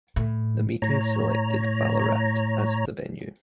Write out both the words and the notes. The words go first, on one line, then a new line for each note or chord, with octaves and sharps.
The meeting selected Ballarat as the venue.
A2
A2 C#5 A#5